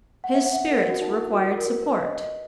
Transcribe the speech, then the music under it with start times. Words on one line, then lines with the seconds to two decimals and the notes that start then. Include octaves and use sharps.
His spirits required support.
0.24 F#5
0.34 E5
0.46 F#5
0.52 E5
0.71 A#4
0.89 F#4
1.02 D#4
1.08 E4
1.33 F#4
1.58 A#4
1.83 B4
2.01 D#5
2.19 D#5